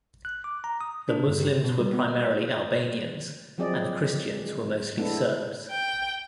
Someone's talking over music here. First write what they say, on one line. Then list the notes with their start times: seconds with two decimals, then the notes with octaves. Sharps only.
The Muslims were primarily Albanians and the Christians were mostly Serbs.
0.25 F#6
0.44 D6
0.64 A#5
0.81 D#6
1.09 D4
1.28 G2
1.40 G4
1.64 B2
1.80 G3
1.93 B3
2.08 D#5
2.27 C5
3.58 F3 F#3 C4 G#4 D5 D#5
4.31 G#3
4.97 G#3 A3 B3 D4 E4 A4
5.71 G5